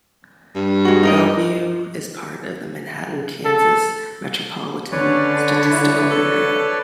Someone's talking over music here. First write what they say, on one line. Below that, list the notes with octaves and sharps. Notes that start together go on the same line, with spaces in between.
Belvue is part of the Manhattan, Kansas Metropolitan Statistical Area.
G2
G#3 F#4
D#4 A#4 D#5
A4
D3 C#4 B4 C#5 D5
E4
A4